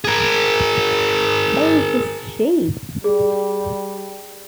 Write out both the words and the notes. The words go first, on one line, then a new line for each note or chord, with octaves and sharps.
They're just sheep.
G#4 A#4
G3 G#4